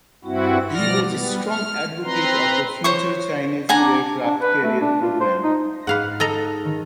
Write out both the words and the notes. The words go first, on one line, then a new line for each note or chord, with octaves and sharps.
He was a strong advocate of the future Chinese aircraft carrier program.
G2 C4 E4 F#4
B2 F3 D5 F6 A#6
G3 B3
F6
C4 B4 A#5 C6
C5 C#5 C#6
D4 F#5 G#5 A#5
D4
B4
A3
D4
F4
C5
D#4
G#2 B4 F5 F#5
A4 D#5 A#5
D#3